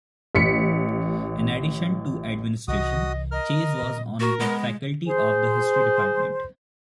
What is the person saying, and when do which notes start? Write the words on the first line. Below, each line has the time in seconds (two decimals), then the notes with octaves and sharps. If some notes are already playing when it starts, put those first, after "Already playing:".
In addition to administration, Chase was on the faculty of the history department.
0.35 A1 B6 C#7
2.68 C2 E3 F#4 D#5 D#6
3.31 A#4 D#5 F6
3.82 A#2
4.20 F#4 A#4
4.40 G#3 B3
5.07 G#4 C5